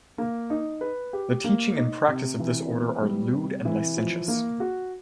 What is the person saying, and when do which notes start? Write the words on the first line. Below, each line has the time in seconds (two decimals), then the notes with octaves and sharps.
The teaching and practice of this order are lewd and licentious.
0.18 A#3
0.50 D#4
0.81 B4
1.13 G4
1.44 A#3
1.76 D#4
2.08 C3
2.40 E3
2.70 B3
3.02 G3
3.33 C3
3.65 E3
3.97 F3
4.28 A#3
4.60 F#4